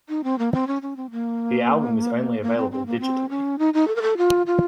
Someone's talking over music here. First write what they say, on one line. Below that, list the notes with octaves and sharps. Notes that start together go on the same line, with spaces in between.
The album is only available digitally.
D#4
C4
A#3
C4
C#4
C#4
C4
A#3
A#3
C4
C4
A#3
C4
C#4
D#4
D#4
A4
A#4
A4
F4
F4